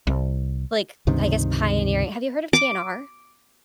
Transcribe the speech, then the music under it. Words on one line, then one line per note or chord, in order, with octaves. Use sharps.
like, I guess, pioneering Have you heard of TNR?
C2
C#2 G2 C3 D#3
D6